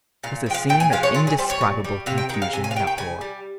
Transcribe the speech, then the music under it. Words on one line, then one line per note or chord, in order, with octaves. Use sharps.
It was a scene of indescribable confusion and uproar.
A#2 F5
F3 G#3 G5
F5
A#2 G5
G#5
F3 G#3 F5
C#5
A#2 F4
G#4
G3 C5
C#5
A#2
G3
C3 F5
G5
D#3 G#3 G5
F5
C3 G#5
G#5
F5
G#3 G5
D#3
G5
C#3 G#5
G3